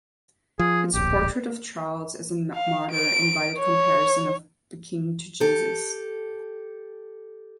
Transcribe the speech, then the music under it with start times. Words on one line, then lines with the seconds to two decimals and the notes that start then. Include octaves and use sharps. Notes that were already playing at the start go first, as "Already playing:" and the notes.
Its portrait of Charles as a martyr invited comparison of the King to Jesus.
0.59 F3 G#4
0.94 D1 A#1 G4
2.54 F5
2.91 D7
3.59 C#5
5.40 G4 A4